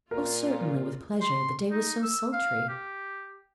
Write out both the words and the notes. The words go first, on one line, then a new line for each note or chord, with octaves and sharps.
Oh, certainly, with pleasure; the day was so sultry.
A#2 F4 A#4
C6
D#4
E6
F5
G4